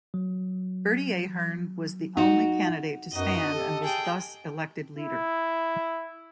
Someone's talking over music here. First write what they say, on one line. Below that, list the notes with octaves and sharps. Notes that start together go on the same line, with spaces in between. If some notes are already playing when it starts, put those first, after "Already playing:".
Bertie Ahern was the only candidate to stand and was thus elected leader.
F#3
D#4 F#4
F#2 B3 D#4 F#4 D#5
G4 A4
G#4 G5
E4